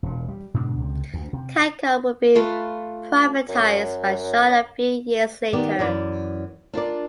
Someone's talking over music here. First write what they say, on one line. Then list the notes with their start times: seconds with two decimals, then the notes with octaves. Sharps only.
Cancom would be privatized by Shaw a few years later.
0.03 E1 A#2
0.28 G3
0.54 G#2 B2 D3 D4
0.77 C#2 C3
1.14 D2
1.33 C3
2.35 A3 F4 B4 F5
3.49 F#2
5.53 D#3 B3 G4 D5
5.79 F#2 E3 D5
6.73 D4 F4 A#4 D5